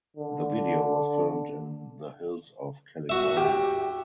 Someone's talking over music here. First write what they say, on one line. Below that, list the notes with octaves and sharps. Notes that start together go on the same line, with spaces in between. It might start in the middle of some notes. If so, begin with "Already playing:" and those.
The video was filmed in "the hills of California".
D3
F#4 E5
G4